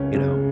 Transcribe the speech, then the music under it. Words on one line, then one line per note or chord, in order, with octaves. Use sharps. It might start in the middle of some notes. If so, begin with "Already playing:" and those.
You know,
Already playing: C#2 C#3 C#4
C#3